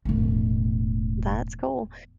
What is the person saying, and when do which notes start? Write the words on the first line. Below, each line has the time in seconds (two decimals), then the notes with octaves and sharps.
That's cool.
0.05 E1 A2